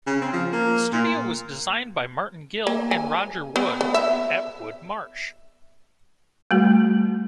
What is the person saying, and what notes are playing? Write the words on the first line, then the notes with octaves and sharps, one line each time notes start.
The studio was designed by Martin Gill and Roger Wood at Wood Marsh.
C#3
C4
F3
A#3
A#2
A#3
G#5
B3
B3
E5
G3 A3 F#4